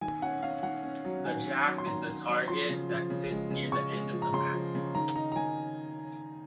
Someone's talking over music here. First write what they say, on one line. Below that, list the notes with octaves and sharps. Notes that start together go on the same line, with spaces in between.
The 'jack' is the target that sits near the end of the mat.
D#3 G#5
C#4 F#5
C#4 F5
D#3 F#5
C#4
F#3
D#3 G#5
C#4
F#3
C6
D#3 A#5
D#3
F#3
F3 C6
C#3
F3
C#3
G#3
C#3
C#3 C#6
G#3
F3
A#5
C#3 C6
F3
C#3
D#3 A#5
D#4 A#5
A#5
D#3 G#5